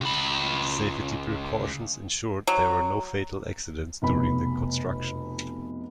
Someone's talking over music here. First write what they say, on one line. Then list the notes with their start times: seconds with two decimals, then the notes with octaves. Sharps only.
Safety precautions ensured there were no fatal accidents during the construction.
0.01 C#2 B5
2.47 F#3
4.02 F1 B2 B5